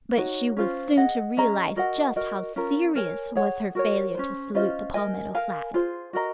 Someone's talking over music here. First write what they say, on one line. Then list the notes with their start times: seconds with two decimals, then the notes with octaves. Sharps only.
But she was soon to realize just how serious was her failure to salute the palmetto flag.
0.17 D#4 F#4 C#5
0.57 C#4 F4 C5
0.97 G#4 D#5 F#5
1.37 C#4 G#4 D#5 A#5
1.76 F#4 A#4 D#5 F#5
2.16 F#4 A#4 D#5
2.56 C#4 F4 A#4
2.95 A#4 C#5 G#5
3.35 G#4 C#5 F#5
3.75 F#4 A#4 C#5
4.15 C#4 F4 C5
4.54 C#4 F4 C5 D#5
4.94 A#4 D#5 G#5
5.35 A#4 F5 G#5
5.74 F4 G#4 C5
6.13 F#4 A#4 D#5 A#5